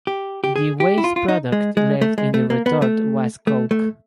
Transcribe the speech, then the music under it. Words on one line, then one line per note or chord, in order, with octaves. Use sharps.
The waste product left in the retort was coke.
G4
G4
G#4
G4
E4
F4
F4
D#4
G#3
G#3
A3
G#3
A3
A#3
B3
A3
A3
A3